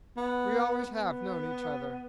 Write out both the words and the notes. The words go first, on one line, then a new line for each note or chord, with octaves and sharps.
"We always have known each other."
B3
B3